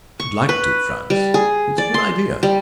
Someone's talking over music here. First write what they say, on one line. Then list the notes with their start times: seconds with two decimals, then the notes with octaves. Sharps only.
I should like to, Frantz; it's a good idea.
0.20 C#6
0.49 B4
1.10 G3
1.34 G#4
1.78 D5
1.94 C6
2.43 G3